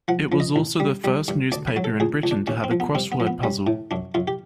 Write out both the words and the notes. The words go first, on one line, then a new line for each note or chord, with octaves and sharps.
It was also the first newspaper in Britain to have a crossword puzzle.
F3 F#5
F3
D#5
A1
G3
G3
G2
D2 D5
B4
F#3
A4
C#2 G#4
C#2
D4
D#2 C#4
C4
F3
B3
G2 C4
B3
F3
B3
G3 C#4
A2
F#2 D4
F#2 F4
G4